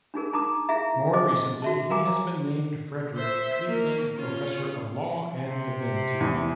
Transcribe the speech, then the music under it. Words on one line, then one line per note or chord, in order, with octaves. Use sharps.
More recently, he has been named Frederic Cleaveland Professor of Law and Divinity.
D4 D#4 G#4 A#4
D#4 A5 A#5 D6 D#6
E4 G#4 E5 F5 A#5
G#4 A4 C5 D#5 D6
F#4 E5 A5
A#4 F5 G#5 A#5 D6
C5 E5
A#3
C#4 F4
C3
E2